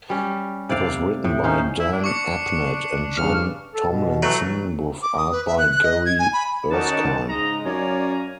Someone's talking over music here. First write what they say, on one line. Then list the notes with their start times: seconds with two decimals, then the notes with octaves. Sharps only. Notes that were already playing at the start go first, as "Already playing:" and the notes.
It was written by Dan Abnett and John Tomlinson with art by Gary Erskine.
0.10 G3 C#4
0.69 C3 D5 F5
1.24 A2
1.44 C#4 D#4 C5
1.80 E4
1.93 D4
2.04 C#6 D6 C#7
3.17 G2 C#3 F6
3.75 A4
3.88 B2
4.23 E3 F#3 A3
5.03 D6
5.18 D#6
5.32 B4
5.47 E5
5.58 F#6
5.72 F#6
5.84 D#5
6.05 G#6
6.19 G#5
6.33 B5
6.71 D#3 C#4 D#4 F#4 D5 F#5 A5
7.29 G#2 C#3 G#3 D#4 D#5 A#5
7.65 F#2 C#4 C#5 D5 F5 G#5 A#5